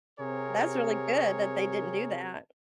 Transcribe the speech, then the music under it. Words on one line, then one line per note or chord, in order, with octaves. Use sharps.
That's really good that they didn't do that.
C3 C4 G4 G#4 A#4 C#5